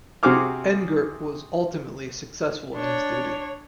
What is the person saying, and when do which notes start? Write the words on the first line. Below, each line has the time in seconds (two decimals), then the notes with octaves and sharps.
Engert was ultimately successful in this duty.
0.23 C3 F#4 G#4 C5 D6 F6
2.74 D4 C#5